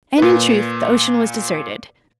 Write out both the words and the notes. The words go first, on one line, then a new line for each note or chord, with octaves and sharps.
And in truth, the ocean was deserted.
A#2 B4